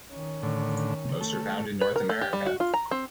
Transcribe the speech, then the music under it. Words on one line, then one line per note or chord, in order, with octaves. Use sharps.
Most are found in North America.
D#3 C#4
A2 D3
A3
B4
A#4
A3
G4
G3
F#4
F4
A#5
C4